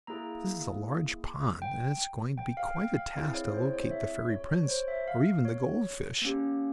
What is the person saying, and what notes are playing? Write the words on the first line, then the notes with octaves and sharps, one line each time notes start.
"This is a large pond, and it's going to be quite a task to locate the fairy prince, or even the gold fish."
A#3 E4 G#4 A#5
G5
G5
F5
G5
F5
C4 E4 G#4 F5
C#5
C5
C#5
E5
C#5
C#5
C5
E5
F5
C#5
A#3 C#4 G4